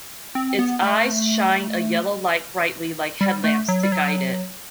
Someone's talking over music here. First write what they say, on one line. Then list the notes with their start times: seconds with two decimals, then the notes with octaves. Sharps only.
Its eyes shine a yellow light brightly like headlamps to guide it.
0.35 C4
0.59 B3
0.83 A3
3.21 G3
3.44 A3
3.68 F#3
3.83 G3
3.92 F#3